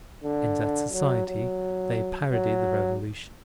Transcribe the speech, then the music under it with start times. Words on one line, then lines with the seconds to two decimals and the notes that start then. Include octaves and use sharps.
In that society, they parodied the Revolution.
0.24 D3
0.93 F#3
1.27 F#3
2.32 F#3